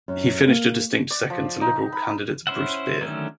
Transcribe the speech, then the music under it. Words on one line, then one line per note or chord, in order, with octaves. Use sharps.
He finished a distant second to Liberal candidate Bruce Beer.
F#2
A#3
D5
F3
D#4
B5
C#4 E4 C5 E5 F#5
D3 D#3 F#3 A3 C#4